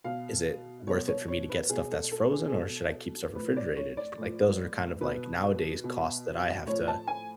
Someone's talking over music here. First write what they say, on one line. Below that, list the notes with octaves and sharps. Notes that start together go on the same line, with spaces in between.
is it worth it for me to get stuff that's frozen, or should I keep stuff refrigerated? Like, those are kind of, like, nowadays costs that I have to,
B2 F5
B2 C#5
C#5
C#5
B4
B2 G#4
A4
A4
G#4
G#4
B2 A4
A2 F3 B4
D5
C#5
D5
A2 F3
B2 B4
B2
A2 F3 C#5
A5
G#5